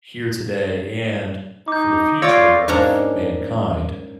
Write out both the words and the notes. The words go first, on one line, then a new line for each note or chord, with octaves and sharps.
here today and for the future of mankind.
D#4 D6 G6
F4 C#5 D5 D6 E6 A#6
G#2 A#3 C#4 D4 C#5 A#5